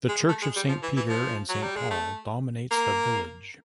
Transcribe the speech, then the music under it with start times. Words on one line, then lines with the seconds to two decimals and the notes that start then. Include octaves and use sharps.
The Church of Saint Peter and Saint Paul dominates the village.
0.09 G#3
0.29 A3
0.42 G#3
0.56 G3
0.69 F3
0.83 E3
0.97 E3
1.09 F3
1.49 F#3
1.63 G3
1.76 G#3
1.91 A3
2.71 A#3